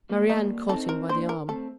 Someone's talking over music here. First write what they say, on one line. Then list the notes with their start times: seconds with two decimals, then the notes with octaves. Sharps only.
Marie-Anne caught him by the arm.
0.09 G3 A#3
0.30 G3 A#3 D#4
0.69 C4 D#4 A4
0.89 A#4
1.09 A#3 D4 C5
1.29 A#4
1.48 A3 C4 A4